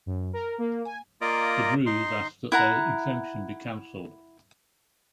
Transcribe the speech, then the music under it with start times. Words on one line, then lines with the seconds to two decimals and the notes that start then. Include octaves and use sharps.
The Druze asked that their exemption be canceled.
0.06 F#2
0.33 A#4
0.58 A#3
0.85 G#5
1.21 A#3 F4 D5 D#5 A#5
1.86 D#4 C6
2.52 E4 F#5 A#5